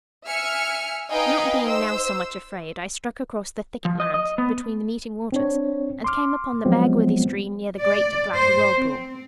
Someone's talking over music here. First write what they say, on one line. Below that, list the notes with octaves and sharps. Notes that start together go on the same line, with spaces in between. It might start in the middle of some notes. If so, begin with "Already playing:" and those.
Not being now so much afraid, I struck across the thicket land between the meeting waters, and came upon the Bagworthy stream near the great black whirlpool.
E5 G#5 F6 C#7
D#4 B4 D#5 F5 G5 G#5
C5 E6
F3
D#5
D#5
B3
C4 D4 C#5
C6 D6 F6
F3 F#3 G#3 B3 C4
D5
C5
C4